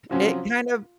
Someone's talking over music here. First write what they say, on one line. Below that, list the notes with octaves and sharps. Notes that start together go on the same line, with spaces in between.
it kind of
C3 F3 F#3 C#4 F#4